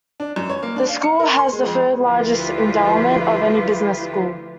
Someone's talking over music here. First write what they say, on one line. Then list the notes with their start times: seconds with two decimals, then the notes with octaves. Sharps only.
The school has the third-largest endowment of any business school.
0.20 D4
0.36 F#2
0.49 C#5
0.63 A#3
0.76 D4
0.89 F5
1.03 C#7
1.19 A#4
1.39 C6
1.53 G#3
1.66 F2
2.04 D2 F3 E4 F4 G4 B4